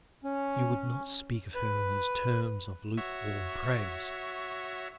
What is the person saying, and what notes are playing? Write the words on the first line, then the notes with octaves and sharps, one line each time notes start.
You would not speak of her in those terms of lukewarm praise.
C#4
B4
F#4 C#5 E5